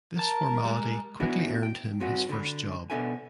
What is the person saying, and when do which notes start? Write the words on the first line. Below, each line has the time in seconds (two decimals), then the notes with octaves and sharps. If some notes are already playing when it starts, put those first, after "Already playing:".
This formality quickly earned him his first job.
0.19 A#4 A5
0.65 G3 G#3
1.20 B3 D4 E4 F#4 G#4
1.63 G5
2.00 G2 C4 F#4 G#4 F#5
2.29 D3 B5
2.90 B2 B3 D4 A4 E5 G#5